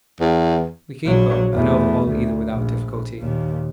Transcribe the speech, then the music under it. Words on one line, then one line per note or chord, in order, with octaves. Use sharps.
We keep up and overhaul either without difficulty.
E2
A#1 F#3
E2 A3
D2
A#1
D#2 A#2